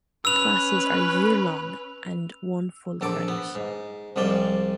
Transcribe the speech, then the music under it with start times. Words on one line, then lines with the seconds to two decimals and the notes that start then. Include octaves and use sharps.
Classes are year-long and one full credit.
0.25 C#4 B4 E6 F7
3.01 A#1 E2 A4 A5 D6
3.28 B3
3.55 G#2
4.16 C2 G#2 F3 D5 G5